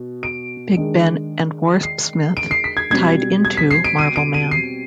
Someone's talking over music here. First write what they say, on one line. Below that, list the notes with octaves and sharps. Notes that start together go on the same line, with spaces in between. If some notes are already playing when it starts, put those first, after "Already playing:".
"Big Ben" and "Warpsmith" tied into "Marvelman".
Already playing: B2
D7
D#3 G#3 D4
C7
D7
C7
B6
G#6
B2 G3 C4 G#6
G#6
B6
C7
D7
D#7
D7
D#7
C7